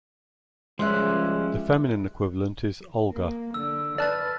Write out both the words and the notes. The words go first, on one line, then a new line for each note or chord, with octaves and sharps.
The feminine equivalent is Olga.
C#2 F3 G3 G#3 C#4 E5 C6 F#6
A#3
D3 E6
B4 D5 A5 F6 F#6 A6